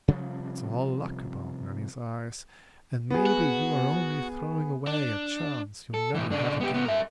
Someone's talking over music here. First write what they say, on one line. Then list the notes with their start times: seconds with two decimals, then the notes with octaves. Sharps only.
It's all luck about Nanny's eyes; and maybe you are only throwing away a chance you'll never have again.'
0.08 C3 F3 G3 C#4
3.10 B3 G#4
3.26 F#4
4.87 D4
5.94 A4
6.15 A2 E3
6.31 C#3 D4
6.60 B3 G4
6.74 A2 B3
6.86 A#4 E5